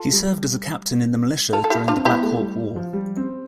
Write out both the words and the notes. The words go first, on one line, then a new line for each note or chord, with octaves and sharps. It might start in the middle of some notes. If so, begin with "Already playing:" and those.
He served as a captain in the militia during the Black Hawk War.
Already playing: F4 A4
G3
F4 A4
A4
E4 G4
D4 F4
C4
B3 E4 G4
A3
G3
F3
G3
C4